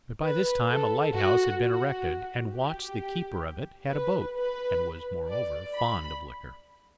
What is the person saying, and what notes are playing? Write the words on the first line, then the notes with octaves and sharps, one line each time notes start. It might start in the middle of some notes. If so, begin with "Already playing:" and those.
But by this time a lighthouse had been erected, and Watts the keeper of it had a boat, and was, moreover, fond of liquor.
B4
A4
F#4
F#4
G4
B4
B4
D5
B5